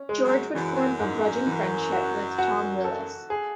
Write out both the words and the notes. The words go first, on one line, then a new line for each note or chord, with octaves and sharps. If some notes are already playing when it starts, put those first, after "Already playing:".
George would form a grudging friendship with Tom Willis.
Already playing: C#4
G#3
F#2
F#2 E3
G#2
E3
F#4
F#4
A4
G#4